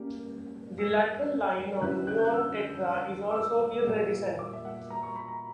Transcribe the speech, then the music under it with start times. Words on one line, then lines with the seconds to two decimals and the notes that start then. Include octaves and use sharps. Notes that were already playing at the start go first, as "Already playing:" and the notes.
The lateral line on the Neon tetra is also iridescent.
Already playing: A#3 C#4 G4 A#4 D5
0.78 E6
1.81 D3 G3 C#4 E4 B4 F#6
2.07 F#6
2.18 G6
2.25 F#6
2.33 E6
3.31 D6
3.36 E6
3.87 A#2 G3 A#3
4.39 D6
4.53 E5
4.65 F#5
4.90 A#5
5.03 C#6
5.16 B5
5.28 A#5